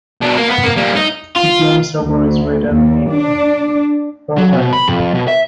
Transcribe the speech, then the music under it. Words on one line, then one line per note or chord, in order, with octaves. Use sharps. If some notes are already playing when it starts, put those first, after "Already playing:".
The game server is written in Erlang.
B2 D4
A#3 A#4
B3
A#3
G3 A#3
D#4
F4
D2
D#2
D4
F#3
B2
B5
F2
B2
E5